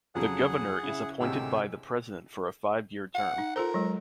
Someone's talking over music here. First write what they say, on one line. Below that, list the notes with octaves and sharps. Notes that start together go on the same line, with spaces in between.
The governor is appointed by the president for a five-year term.
F2 C#3 F#3 G#4 F#5
C#3 E4
D2 A2 C3 G#3 G4 E6
F#5
D#4
F4 A4 A#4 C5
F#3 G#3